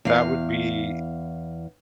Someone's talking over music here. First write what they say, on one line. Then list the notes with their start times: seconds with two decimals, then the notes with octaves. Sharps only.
that would be
0.05 E2 F5